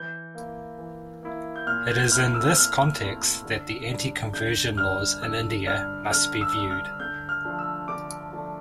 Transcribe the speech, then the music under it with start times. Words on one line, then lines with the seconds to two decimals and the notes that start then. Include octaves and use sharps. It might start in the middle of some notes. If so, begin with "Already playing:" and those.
It is in this context that the anti-conversion laws in India must be viewed.
Already playing: E3 G6
0.35 A#3 E4
0.78 E3
1.23 A#3 E4
1.56 G6
1.67 A#2 F6
1.89 G6
2.11 A3 C4 E4 F6
2.34 E6
2.56 A#2 F6
3.01 A3 C4 E4
3.45 D3
3.90 G3 D4
4.33 D3 G6
4.77 G3 D4 F6
5.22 D3 E6
5.67 G3 D4 F6
6.11 D3 F6
6.41 E6
6.55 G3 D4
6.71 F6
7.00 D3 G6
7.29 F6
7.44 F3 A3 D4
7.59 E6
7.88 D3 D6
8.33 F3 A3 D4